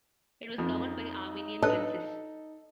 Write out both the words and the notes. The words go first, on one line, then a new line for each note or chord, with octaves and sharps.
It was governed by Armenian princes.
F2 D#4
D4 A4 B4 D#5